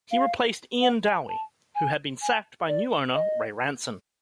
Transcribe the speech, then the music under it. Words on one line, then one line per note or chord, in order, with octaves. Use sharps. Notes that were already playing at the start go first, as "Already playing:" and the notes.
He replaced Iain Dowie, who had been sacked by new owner Ray Ranson.
F5
F#5
G#5
A5
G#5
G#5
D5
D#5